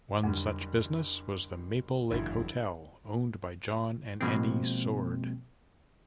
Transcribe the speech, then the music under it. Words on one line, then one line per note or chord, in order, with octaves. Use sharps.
One such business was the Maple Lake Hotel, owned by John and Annie Sword.
F#1 F2 D3 G3
F#1 E2 A2 D3 E4
B2 F3 G#3 A#3 C4